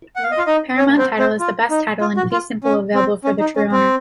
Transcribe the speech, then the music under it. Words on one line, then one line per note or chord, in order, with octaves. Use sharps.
Paramount title is the best title in Fee simple available for the true owner.
F#5
F5
D#5
F4 F5
D#4 D#5
C#4 C#5
C4 C5
C4 C5
F4
D#4
F4
F#4
F4
C#4
C4
C#4
D#4
C#4
C4